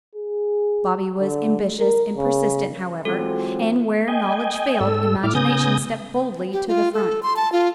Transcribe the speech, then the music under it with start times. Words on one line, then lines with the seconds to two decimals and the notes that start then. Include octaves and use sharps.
Bobby was ambitious and persistent, however, and where knowledge failed, imagination stepped boldly to the front.
0.15 G#4
1.20 D3
1.80 A#4
2.17 C#3
3.05 E3 F#3 G#3 C4 F4 A4
4.08 D#5 G5 G#5
4.81 G#2 A4 E6
5.24 A2 E4 D6 F6
5.35 C#3 B3 G#5 D#6 G6 A#6
6.53 G4
6.68 F4
6.93 A4
7.23 C6
7.36 A5
7.52 F4